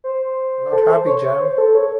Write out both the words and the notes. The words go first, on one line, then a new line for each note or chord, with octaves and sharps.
Not happy, Jan!
C5
A4
C5
C#5
C#5
C#5
C5
A4
C#5